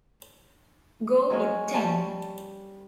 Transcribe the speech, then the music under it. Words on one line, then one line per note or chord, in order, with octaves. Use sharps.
Go with ten!
F#3 G#3 C#4
G3 G#5 A5 C#6